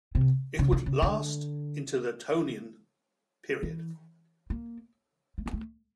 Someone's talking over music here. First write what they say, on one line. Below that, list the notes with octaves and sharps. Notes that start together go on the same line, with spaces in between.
It would last into the Tonian period.
C3
C#3
D3
C#3
D3
E3
A#3
A3
A#3
A3